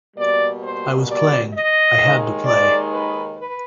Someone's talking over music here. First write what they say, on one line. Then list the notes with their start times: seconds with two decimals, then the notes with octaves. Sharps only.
I was playing, I had to play.
0.16 B2 G3 A#3 D5
0.62 C5
1.08 D5
1.54 D#5
1.99 D#2 D#3 G#3
2.44 D5
2.90 B4
3.36 B4